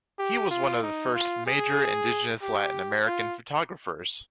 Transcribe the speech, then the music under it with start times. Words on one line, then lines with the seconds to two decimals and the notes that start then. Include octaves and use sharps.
He was one of the first major indigenous Latin American photographers.
0.19 G4
0.51 F4
0.83 D#4
1.15 F4
1.46 G#4
2.42 G4
3.06 F4